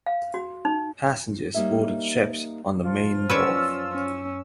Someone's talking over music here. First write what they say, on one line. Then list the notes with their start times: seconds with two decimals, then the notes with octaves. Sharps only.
Passengers boarded ships on the main wharf.
0.06 F5
0.34 F#4
0.65 D#4
1.55 G3 A#3 D#4 C#5 E5
2.84 F3 F4
3.30 F#2 C#4 B4 C#5 D5 E6
3.93 C#4